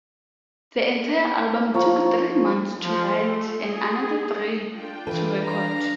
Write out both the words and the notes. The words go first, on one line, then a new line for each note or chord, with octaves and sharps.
The entire album took three months to write and another three to record.
F3 C#5 A#5
F3
A3
G#4
D4 F4 G5
E3 A4 B4
D4 F5 A#5 F6